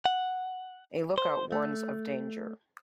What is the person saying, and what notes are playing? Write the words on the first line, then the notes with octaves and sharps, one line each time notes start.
A lookout warns of danger.
F#5
C5
A3